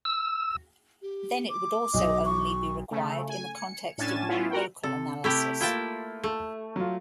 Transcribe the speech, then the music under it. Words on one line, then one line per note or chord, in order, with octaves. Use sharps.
Then it would also usually only be required in the context of nonlocal analysis.
E6
G4
D6
B1 D#5
C#6
C#3 A3
G#5
C#7
A2 C#4 D4 G#5 A6 E7
B3 C#4 E4 F4
F#4 A#4 F#5 G5
C3 A4
C3 A3 E4 G4
A#3 E4 F4 G5 A5
A3
F#3 F4